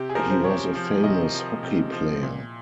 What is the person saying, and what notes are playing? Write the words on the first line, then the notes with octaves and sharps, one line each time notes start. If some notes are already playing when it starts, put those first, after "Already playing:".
He was a famous hockey player.
Already playing: C3 G4
G#4
F3 A#4
C5
C3 C#5
F3
C3 D#5
F3
C3
F3
A#2